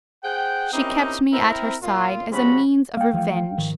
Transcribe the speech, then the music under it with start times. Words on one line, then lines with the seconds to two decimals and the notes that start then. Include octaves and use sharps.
She kept me at her side as a means of revenge.
0.23 G#4 C5 F#5 G5
0.73 C4 C#4 D#4 E4 G4 A#4
1.32 C4 E4 A#4
1.82 A#2 F4
2.30 C3 F3 G#3 C#4 F#4 B5
2.97 A#3 F5 G5
3.13 E3 F3 A3
3.57 G#2 D#3 F3